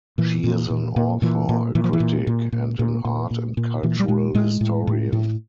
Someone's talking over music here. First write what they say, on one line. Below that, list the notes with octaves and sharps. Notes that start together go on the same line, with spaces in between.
She is an author, a critic, and an art and cultural historian.
A#2 E3
A#2
A#2
A#2
A#2 E3
A#2
A#2 E3
F3
E3
A#2
A#2
A#2
A#2
A#2
A#2
A#2
A#2 E3
G3
A#2 G#3
A2 G#3
A2
A2
A2